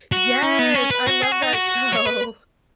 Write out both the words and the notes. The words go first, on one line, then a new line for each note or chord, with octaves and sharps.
Yes! I love that show.
F#4
C#4
B3
C#4
B4
F#4
G#4
F#4
D#4
F#4
C#5
B4